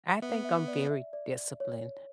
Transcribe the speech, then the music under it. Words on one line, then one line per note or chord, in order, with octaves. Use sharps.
I think I'm very disciplined.
B3 E5
E5
D5
E5
D5
C#5